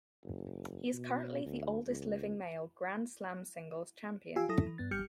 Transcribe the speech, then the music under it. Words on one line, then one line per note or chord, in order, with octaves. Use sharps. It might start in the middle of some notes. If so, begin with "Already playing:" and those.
He is currently the oldest living male Grand Slam singles champion.
F#1
B2
D2
C#2
F4 G4 F5 G#5 E6
F#3 E4 A4 D#6 A#6
E3
G2 B3 A6
G1 G3 G4 F6 G6 C#7